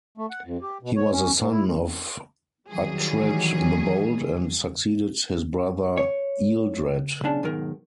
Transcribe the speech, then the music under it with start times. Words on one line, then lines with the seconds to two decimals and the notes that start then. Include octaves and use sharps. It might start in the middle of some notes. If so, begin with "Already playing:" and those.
He was a son of Uhtred the Bold and succeeded his brother Ealdred.
0.18 A3
0.30 F#5
0.45 F2
0.62 G4
0.82 B2
0.96 C#5
1.13 C#4
1.38 G#2
1.52 E4
2.70 D#3 E3 F#3 G3 G#4
5.97 C#5
7.24 B1 C#3 D4 A5
7.43 B1 G#2 D#3 A#4